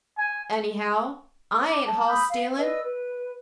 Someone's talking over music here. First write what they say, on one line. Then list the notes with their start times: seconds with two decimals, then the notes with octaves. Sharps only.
Anyhow, I ain't hoss stealin'.
0.18 G#5
1.69 D6
1.86 A5
2.08 B5 D#6 E6 G6
2.31 F5
2.58 B4 D5 D#5 E6
2.84 B4